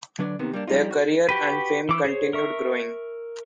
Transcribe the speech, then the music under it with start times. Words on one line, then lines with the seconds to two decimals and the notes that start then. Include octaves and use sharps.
Their career and fame continued growing.
0.19 D3 F#3 D4 B4 D5
0.39 D#2 C3 D#3 B3
0.53 G3 A#3 D4
0.68 F3 G3 A#3 C#4 D#4 F4
0.91 F#4
1.29 F#4 G4 B4
1.89 E3 D6 E6
2.05 G#4 C5 C#5
2.33 A#4 E5 C#6